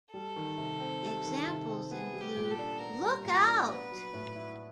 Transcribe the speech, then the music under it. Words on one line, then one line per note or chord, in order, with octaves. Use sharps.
Examples include: Look out!
G3 A4
D#3
C3
C4
G3
D#3
C3
C4
B3 G#4
G3
G4
A#2
A4
D4
B3 A#4
G3
A#2 A#4
D4
B3 B4
F#3
A2
E4